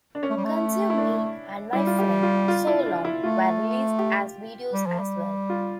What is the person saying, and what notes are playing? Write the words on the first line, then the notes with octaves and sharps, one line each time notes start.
"Consume Me" and "My Friend, So Long" were released as videos as well.
D4
C#4
A3
G3
A3
E4
D4
G3 E4
F4
G4
F4
F4
E4
D4
E4
A3 F4
G4
G3
F3
G3
F4